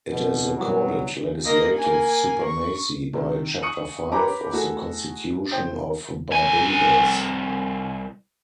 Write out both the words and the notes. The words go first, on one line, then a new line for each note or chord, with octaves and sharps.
It is accorded legislative supremacy by Chapter Five of the Constitution of Barbados.
F2 B2
B2 E3 F#3 G3
A#3 D#5
A#3 G#5
C#6
C3 D#3
C#6 D#6 C#7 D#7 F#7
G4 B4 C#5 A#5 B5 D6
A3 E4 F#4 G#4 A4
C5 G5
C2 G#5